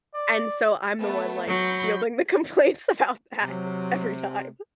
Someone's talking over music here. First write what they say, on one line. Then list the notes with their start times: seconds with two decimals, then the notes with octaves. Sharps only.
And so I'm the one, like, fielding the complaints about that every time.
0.14 D5
1.00 A3 B3 A4
1.47 F#3 B5 G6 C#7
3.42 C3 F#3